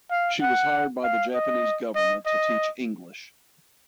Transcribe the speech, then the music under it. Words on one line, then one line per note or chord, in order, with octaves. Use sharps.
She was hired by the Japanese government to teach English.
F5
F#5
F5
D#5
D#5
D#5